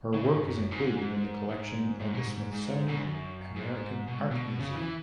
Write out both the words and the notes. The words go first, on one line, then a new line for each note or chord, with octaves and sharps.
Her work is included in the collection of the Smithsonian American Art Museum.
C#3
B2
G#2
F#2
G#2
G#2
G#2
G#2
B2
G#2
G#2
B2
G#2
F#2
G#2
B2
G#2
B2
C#3
E3